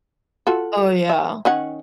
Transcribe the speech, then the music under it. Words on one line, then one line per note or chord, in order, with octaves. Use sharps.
Oh, yeah.
F4 F#4 A4
E5
D#3 C#4 F#5